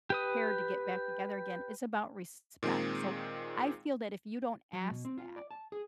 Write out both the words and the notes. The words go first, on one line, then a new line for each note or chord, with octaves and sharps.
cared to get back together again, it's about respect. So, I feel that if you don't ask that
G4 B4 D#6
A#2 D#3 G#3 C4 G#4
F#3
B2
C4
F4
D5
A5
G#4